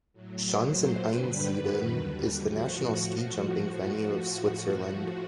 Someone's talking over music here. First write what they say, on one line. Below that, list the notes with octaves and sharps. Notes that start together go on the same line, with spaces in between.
Schanzen Einsiedeln is the national ski jumping venue of Switzerland.
A2 F#3
A#2 F#3 C5
G2 D3 G3 B4
F#2 D#3 F#3
D#2 D3 G3
A2 F3 F#4